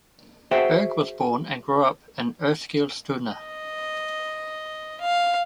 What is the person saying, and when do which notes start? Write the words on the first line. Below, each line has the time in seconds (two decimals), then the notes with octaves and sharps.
Berg was born and grew up in Eskilstuna.
0.51 F#4 G#4 C5 E5 F#5 G5
3.34 D#5
5.01 F5